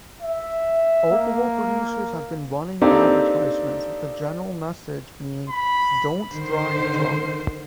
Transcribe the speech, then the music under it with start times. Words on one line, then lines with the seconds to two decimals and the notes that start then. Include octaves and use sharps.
Alcohol producers have been running advertisements with the general message being "don't drive drunk".
0.22 E5
1.12 A#3
2.82 A#3 C4 D4 D#4 G4 A4
5.49 B5
6.33 D3 D#3 C5